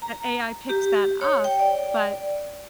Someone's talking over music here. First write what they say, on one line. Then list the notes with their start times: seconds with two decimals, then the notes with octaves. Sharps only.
that AI picked that up, but,
0.02 A#5
0.69 G4
1.21 C#5
1.44 G5
1.59 D5